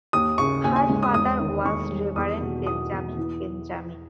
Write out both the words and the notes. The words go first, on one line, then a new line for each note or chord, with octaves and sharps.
Her father was Reverend Benjamin Benjamin.
D#2 D#6
C#3 C#6
D#2 G#5
G#5
G#3
D#6
E1 D#6
D#3
D#3 C#6
G3
E2 D#6
B2
E2 D#6
E2
E3